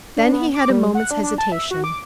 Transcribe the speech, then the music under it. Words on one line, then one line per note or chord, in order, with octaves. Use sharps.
Then he had a moment's hesitation.
D4
B3
D6
G3
F#5
D4
D4
A5
E5
F#4
D6